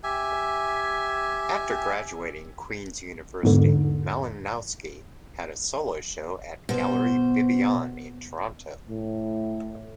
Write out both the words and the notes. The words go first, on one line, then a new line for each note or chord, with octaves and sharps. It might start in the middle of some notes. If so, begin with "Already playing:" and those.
After graduating Queen's University, Malinowski had a solo show at Gallery Bibbiane in Toronto.
G4 E5 G#5
E2 G#2 D3
B2 C5
A2